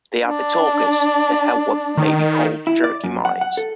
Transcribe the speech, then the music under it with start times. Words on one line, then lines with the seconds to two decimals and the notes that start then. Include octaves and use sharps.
They are the talkers that have what may be called jerky minds.
0.23 D4
1.98 D#3
2.67 E4
2.84 D5
3.04 F#2
3.25 F#5
3.41 F#5
3.57 A4